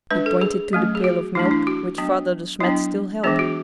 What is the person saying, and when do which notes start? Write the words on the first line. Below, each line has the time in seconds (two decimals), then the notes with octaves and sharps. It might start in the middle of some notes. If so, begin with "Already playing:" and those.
He pointed to the pail of milk which Father De Smet still held.
0.11 G#3 D4 B4
0.26 A4
0.41 G#4
0.73 F#3 A3 C#4
0.95 G#4
1.04 F#4
1.35 E3 A3 D4 E4
1.46 D4
1.51 E4
1.67 F#4
1.98 F#3 B3 D4
2.60 F#3 B3 D4 E4
3.23 E3 G#3 B3 D4 G#4
3.39 F#4